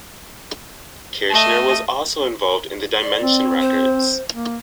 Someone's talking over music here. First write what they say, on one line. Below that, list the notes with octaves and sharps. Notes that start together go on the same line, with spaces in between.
Kirshner was also involved in Dimension Records.
A3 D#5
D5
C4
C5
A#3